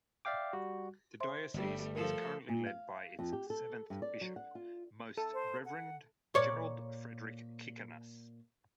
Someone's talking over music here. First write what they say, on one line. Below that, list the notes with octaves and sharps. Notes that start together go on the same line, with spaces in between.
The diocese is currently led by its seventh bishop, Most Reverend Gerald Frederick Kicanas.
D5 E5 F5 G5 D6
G3 F#4
C5 E5 C6
G1 G3 A3
F3 A4 A#4
A#2
F5
F2
G4
A4
G2
D5
F#3
F#5
F4
A4
C5
F#5
A#2 C#5 D5